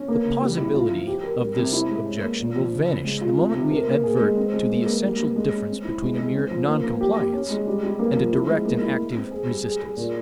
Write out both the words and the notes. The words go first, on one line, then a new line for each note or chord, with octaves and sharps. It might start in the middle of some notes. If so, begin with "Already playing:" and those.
The plausibility of this objection will vanish the moment we advert to the essential difference between a mere NON-COMPLIANCE and a DIRECT and ACTIVE RESISTANCE.
Already playing: C#4
A#3
C#3
G3
E4
F4
F3
G4
A#4
G3
C3
E4
G#3
C#4
A#3
A#2
F3
C#3
C#3
G#3
F4
C3
C3
A#4
A#3
G#4
G#3
C4
G#3
A#3
A#3
G3
A#3
G#3
C#4
C4
E4
G#3
G#3
C4
F3
A#3
A#3
G4
G4
C#4
G#3
G3
G3
A#3
F3
E4
G#3
A#3
E4
G#3
C4
G#4
G3
G#4
G#4
A#2